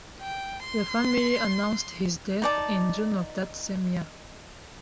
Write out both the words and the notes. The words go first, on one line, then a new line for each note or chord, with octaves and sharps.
The family announced his death in June of that same year.
G5
C6
D#4 D5 A5